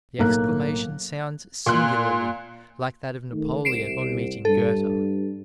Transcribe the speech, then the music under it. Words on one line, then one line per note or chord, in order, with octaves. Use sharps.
The exclamation sounds singularly like that of Napoleon on meeting Goethe.
B1 A2 A#3 A4 A#5 F#6
A#2 C6 F#6
D#3 A3
C2 C7 D7 E7
G2 A4